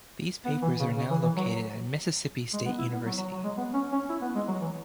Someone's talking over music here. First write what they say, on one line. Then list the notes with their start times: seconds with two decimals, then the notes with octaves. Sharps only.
These papers are now located at Mississippi State University.
0.45 B3
0.62 E3
0.79 C#3
0.97 C#3
1.10 E3
1.23 E3
1.37 F#3
2.53 G#3
2.65 B3
2.78 E4
2.92 B3
3.05 F#3
3.18 F#3
3.31 F#3
3.44 G#3
3.57 B3
3.74 C#4
3.92 C#4
4.09 E4
4.22 B3
4.35 G#3
4.48 F#3
4.61 E3